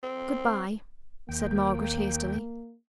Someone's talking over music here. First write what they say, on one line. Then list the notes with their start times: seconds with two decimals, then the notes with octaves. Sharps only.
'Good-bye!' said Margaret, hastily.
0.03 C4
1.29 D#2 A#3 G5